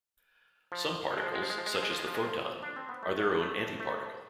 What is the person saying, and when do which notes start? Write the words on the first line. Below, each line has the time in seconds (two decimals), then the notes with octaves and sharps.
Some particles, such as the photon, are their own antiparticle.
0.72 F3
1.10 F3
1.18 G#3
1.27 F3
1.35 G#3
1.42 F3
1.50 G#3
1.58 F3
1.66 G#3
1.75 F3
1.83 G#3
1.91 F3
1.99 G#3
2.07 F3
2.15 G#3
2.23 F3
2.63 D4
2.76 C4
2.89 B3
3.03 A3
3.41 A3
3.80 A3